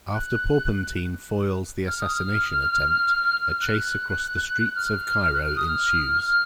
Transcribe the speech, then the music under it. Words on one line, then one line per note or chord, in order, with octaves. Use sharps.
After Porpentine foils the assassination attempt, a chase across the streets of Cairo ensues.
F#6
F6
D#6
F6
F#6
F6
F#6
F6
D#6
F6